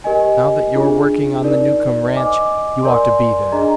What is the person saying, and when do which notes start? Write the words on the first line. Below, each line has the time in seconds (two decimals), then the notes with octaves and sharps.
Now that you're working on the Newcomb ranch you ought to be there.
0.04 G4 A#4 D#5 G#5
0.74 D4 F4 G#4
1.43 D#4 A#4 D5
2.14 C5 D#5 G#5 D6
2.83 A#4 D5 G#5 C6
3.52 D4 G#4 D#5 A#5